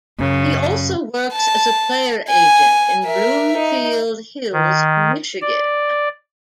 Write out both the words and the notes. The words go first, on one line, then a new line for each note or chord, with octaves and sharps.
He also works as a player agent in Bloomfield Hills, Michigan.
F#2 C#3
A5
G#5
A#4 E5
D#4
D#3
D5